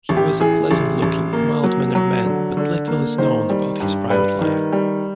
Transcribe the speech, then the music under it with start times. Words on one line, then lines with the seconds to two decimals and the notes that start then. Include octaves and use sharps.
He was a pleasant-looking, mild-mannered man, but little is known about his private life.
0.09 A1
0.17 G4
0.40 E3 G#4
0.71 A1
1.02 A1
1.33 A#3
1.64 F#3
1.95 F#3
2.25 D3
2.57 D3
2.88 A#3
3.18 D#3 C5
3.50 G3
3.80 G2
4.10 G3 B4
4.41 D#3
4.73 G3